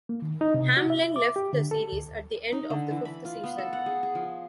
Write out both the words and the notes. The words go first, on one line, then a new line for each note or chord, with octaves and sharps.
Hamlin left the series at the end of the fifth season.
A#3
D#3
D#4
C3
F#4
E5
D6
G4
D3
A4
D2
D#4
D3
E3
B5
F4
B3
A4
F#5
G#4
G#4
F3